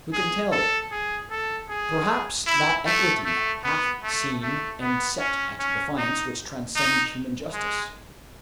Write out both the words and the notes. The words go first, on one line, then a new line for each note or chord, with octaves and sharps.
Who can tell? Perhaps that equity, half seen and set at defiance, which transcends human justice.
G#4
A4
G#4
A4
G#4
E4
A3
A3
B3
A3
A3
B3
C#4
C#4
D#4
D#4
G#3